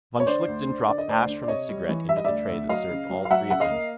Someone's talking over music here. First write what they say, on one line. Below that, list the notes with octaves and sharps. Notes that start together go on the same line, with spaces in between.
Von Schlichten dropped ash from his cigarette into the tray that served all three of them.
C#5
D3 C5 D5
D2
D3
D3 D5
D#5
D2 C5 D5
D3
D5
C3 C#5 D#5
G3
E3
G3 E5
D#5
D2 D5 E5
D2
F#3 D#5 F5
C#3
F#3
F5
F#3 E5 F#5
C#3 F#5
D#5 F5
A#3